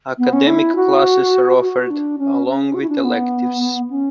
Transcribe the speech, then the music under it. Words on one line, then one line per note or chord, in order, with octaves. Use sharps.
Academic classes are offered, along with electives.
B3
C#4
E4
F#4
F#4
D4
C#4
C#4
F#4
E4
D4
C#4
B3
C#4